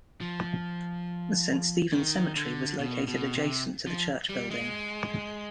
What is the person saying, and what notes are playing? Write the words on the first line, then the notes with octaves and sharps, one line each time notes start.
Saint Stephen Cemetery was located adjacent to the church building.
F3
D#3
D3
B2
B2
C3
F3
G3
G#3